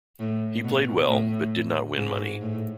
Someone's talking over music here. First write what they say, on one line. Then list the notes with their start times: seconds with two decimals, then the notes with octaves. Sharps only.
He played well, but did not win money.
0.19 A2
0.64 B2
1.08 A2
1.97 G#2
2.41 A2